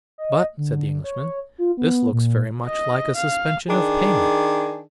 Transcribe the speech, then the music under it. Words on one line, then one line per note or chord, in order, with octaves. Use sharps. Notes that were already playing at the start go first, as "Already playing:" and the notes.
"But," said the Englishman, "this looks very much like a suspension of payment."
D#5
D3
C#5
F4
B3
A#2
D#5
F5
D#3 D4 G#4